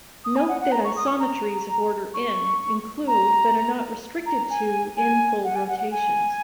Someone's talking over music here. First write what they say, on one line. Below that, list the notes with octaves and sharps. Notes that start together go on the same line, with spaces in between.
Note that isometries of order "n" include, but are not restricted to, "n"-fold rotations.
D#6
G#5
F#5
F#5
A#5
C#6
D#6
C#6
A#5
C#6
A#5
A#5
G#5
G#5
F#5
G#5
F#5
F#5
G#5